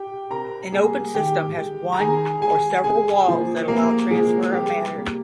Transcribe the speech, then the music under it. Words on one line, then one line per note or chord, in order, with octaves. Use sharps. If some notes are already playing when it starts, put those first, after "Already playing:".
An open system has one or several walls that allow transfer of matter.
Already playing: G4 G5
C3 A#4 A#5
G3 A#3 G#4 G#5
D#3 G4 G5
G#3
A#5
D#3 G#4 G#5
G#3 G#4 G#5
C3 G#4 G#5
F3 A#3
C3 A#3 A#4
F3 G#3 A#3 G#4
C3 G3 G4
G3 A#3